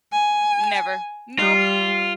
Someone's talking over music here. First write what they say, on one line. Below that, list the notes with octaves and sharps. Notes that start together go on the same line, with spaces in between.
Never. Nope.
G#5
G3 F4